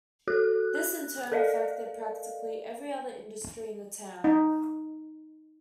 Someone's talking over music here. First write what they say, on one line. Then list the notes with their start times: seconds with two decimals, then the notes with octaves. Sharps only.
This in turn affected practically every other industry in the town.
0.28 F#4 A4 F#6
0.75 F#6
1.32 A4 A#4 D5 D#5 F5
4.24 D#4